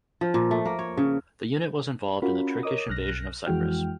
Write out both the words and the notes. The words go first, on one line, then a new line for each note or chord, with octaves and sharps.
The unit was involved in the Turkish invasion of Cyprus.
F3
A#2
A3
A#3
C#5
C#3
C#4 F4 F#4 A#4 B5
A#4 C#5 D#5 D6 D#6
B1 F6 F#6 A#6
F2 E3 G#3 F#4 G5 F6